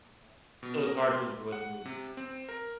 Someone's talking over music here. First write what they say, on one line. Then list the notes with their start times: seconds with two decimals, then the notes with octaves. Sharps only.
Uh, so, it's hard to enjoy the movie.
0.63 B2
0.85 A#4
1.10 C6
1.52 F#5
1.85 C3
2.17 C4
2.49 A#4